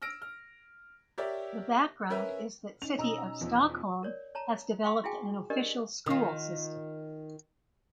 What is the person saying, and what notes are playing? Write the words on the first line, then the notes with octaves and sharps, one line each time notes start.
The background is that City of Stockholm has developed an official school system.
E6 F6 A#6 D7
F6
G4 A#4 C#5 D5 E5
C#4 A#4 B4 E5
C#4 D#4 F7
B2 D#5 A#5 E6
E2 F3
A#4 C#5 D5
C#5 A5 A#5
F5 G5 C6 C#6 D#6
E4 F#4 G#4 F5 G5 G#5
D4 G4 A#4 B4 D5 D#5
D#3 F4